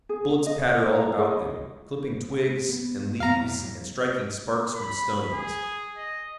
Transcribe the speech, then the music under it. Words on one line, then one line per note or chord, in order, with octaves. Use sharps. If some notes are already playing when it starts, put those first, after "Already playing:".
Bullets pattered all about them, clipping twigs and leaves and striking sparks from stones.
G#4
D#5
A#5
G#4
D#5
B3
F2 A2 F#3 G3 F5 A#5
B5
G#4
D#5